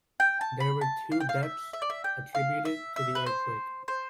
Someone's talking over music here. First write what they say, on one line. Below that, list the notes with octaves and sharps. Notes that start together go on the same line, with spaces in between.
There were two deaths attributed to the earthquake.
G5
A5
B5
A5
F5
G5
F5
E5
E5
D5
E5
G5
F5
E5
E5
B4
C5
C5